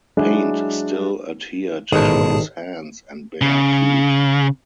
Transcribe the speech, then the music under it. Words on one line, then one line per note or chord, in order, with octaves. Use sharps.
Paint still adhered to his hands and bare feet.
F#3 G#3 D4 E4 F#4
A1 G#2 B2 D#3 G#4 A5
C#3